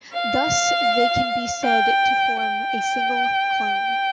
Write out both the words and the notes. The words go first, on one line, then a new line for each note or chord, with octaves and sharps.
Thus they can be said to form a single "clone".
F5
G5
G5